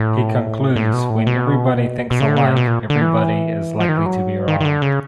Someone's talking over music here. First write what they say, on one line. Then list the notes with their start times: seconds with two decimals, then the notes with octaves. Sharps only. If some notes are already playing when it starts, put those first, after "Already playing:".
He concludes when everybody thinks alike, everybody is likely to be wrong.
Already playing: A2
0.76 A2
0.93 B2
1.10 A2
1.27 B2
2.11 B2
2.20 C#3
2.28 D3
2.36 C#3
2.45 C3
2.57 B2
2.67 A#2
2.90 D3
3.01 E3
3.80 F3
3.89 D#3
3.97 E3
4.06 F#3
4.48 D#3
4.61 D#3
4.65 D3
4.82 C#3